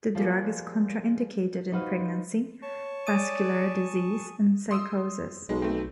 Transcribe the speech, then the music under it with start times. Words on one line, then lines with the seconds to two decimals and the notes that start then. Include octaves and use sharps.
The drug is contraindicated in pregnancy, vascular disease, and psychosis.
0.15 F3 G3 G#3 A#3
1.72 D#4 F4 F#4 B4 C5 F5
2.62 C#5 A5 C#6
3.07 D5 G#5 D#6 D#7
4.71 C6 D#6 E6
5.49 B1 G#3
5.62 A3 C4